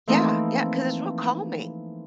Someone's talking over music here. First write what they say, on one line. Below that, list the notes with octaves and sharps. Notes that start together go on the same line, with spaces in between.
Yeah, yeah. 'Cause it's real calming,
E3 F3 A3 A#3 C4 D#4